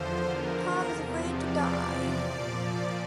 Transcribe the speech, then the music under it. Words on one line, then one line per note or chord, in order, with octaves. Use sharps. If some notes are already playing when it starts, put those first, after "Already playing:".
Tom is afraid to die.
Already playing: E2 D3 F3 C5
A#4
A#4
E2 C3 F3
D5
A#2 F3